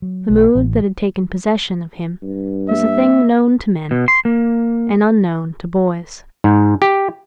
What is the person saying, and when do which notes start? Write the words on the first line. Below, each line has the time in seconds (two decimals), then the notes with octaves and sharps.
The mood that had taken possession of him was a thing known to men and unknown to boys.
0.02 F#3
0.30 B1
0.55 A1
2.23 G2
2.68 A#3 E5
3.91 B2
4.08 C6
4.25 A#3
6.44 G#2
6.82 G4